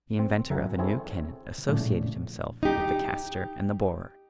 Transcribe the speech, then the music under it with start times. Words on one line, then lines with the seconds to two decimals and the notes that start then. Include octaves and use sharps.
The inventor of a new cannon associated himself with the caster and the borer.
0.19 C4
0.50 F#2 A#4 E5 F#5 G#5
0.78 C4 E4 G#4 A4 C#5
1.68 A#1 A2 C#3 A3 D4
2.63 D#4 G4